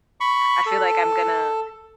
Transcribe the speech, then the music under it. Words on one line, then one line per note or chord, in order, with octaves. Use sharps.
I feel like I'm gonna
B5 C#6
A4